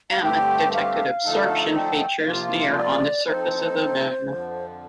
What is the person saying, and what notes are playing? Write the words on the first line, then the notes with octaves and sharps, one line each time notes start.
M detected absorption features near on the surface of the Moon.
F5
G2 D3 A3 C4 G4 G5
F5
D3 F3 A3 D#4 A4
G5
D#5
C3 F3 A#3 F4 F5
D5
F3 C4 D#4 A4 C5
F2 D3 F3